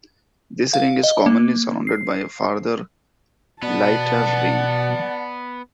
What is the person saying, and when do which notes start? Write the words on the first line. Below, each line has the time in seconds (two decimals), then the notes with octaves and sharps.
This ring is commonly surrounded by a farther lighter ring.
0.73 F5
1.03 D#5
1.26 A#3
1.87 C7
3.63 B2 B3 D5 F#5 A5